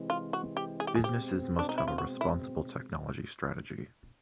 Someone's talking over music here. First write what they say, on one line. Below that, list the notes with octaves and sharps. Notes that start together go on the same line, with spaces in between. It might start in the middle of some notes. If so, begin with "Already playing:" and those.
Businesses must have a responsible technology strategy.
Already playing: C3 E3 G#3 C4
F4
F#4
G4
G#4
G4
G#4
B2 G#3 C4 G4
D4
D#4
E4
F4
F#4
E4